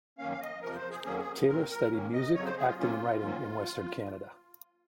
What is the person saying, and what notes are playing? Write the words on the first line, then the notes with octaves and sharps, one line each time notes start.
Taylor studied music, acting and writing in western Canada.
F#2 D#3 A#3 C#4 F5
F5
D#5
F2 C3 F3 A#4
C5
G#4
F2 D#3 F#3 A#3 C#4 G#4
G#4
A#2 F#3 C4 A#4
A#4
G#2 D#3 A#3 C#4
D#5
F2 C#3 F#3 C#5
C5
G#4
F4
C3 F#3 A#3 C#4 F4
G#2 D#3 F#3 A#3 C#4